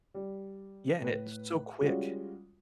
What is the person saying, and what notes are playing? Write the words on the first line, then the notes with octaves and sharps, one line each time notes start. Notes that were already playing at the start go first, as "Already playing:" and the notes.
Yeah, and it's so quick.
G3
A2 B4
G3 G#3 C#4 F4 F#4